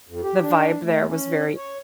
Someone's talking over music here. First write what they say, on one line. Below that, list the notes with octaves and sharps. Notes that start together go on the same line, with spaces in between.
The vibe there was very
F2
G4
D4
A3
C#4
C#5